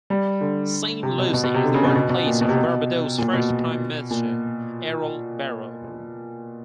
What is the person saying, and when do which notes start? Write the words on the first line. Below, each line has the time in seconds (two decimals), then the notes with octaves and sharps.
Saint Lucy is the birthplace of Barbados's first Prime Minister, Errol Barrow.
0.10 G3
0.41 D3
1.03 C3
1.18 B2
1.33 B2
1.43 B2
1.54 C3
1.64 D3
1.74 C#3
1.84 B2
1.95 B2
2.10 B2
2.26 A#2
2.41 B2
2.49 C3
2.55 B2
3.18 A#2
3.33 B2
4.11 A#2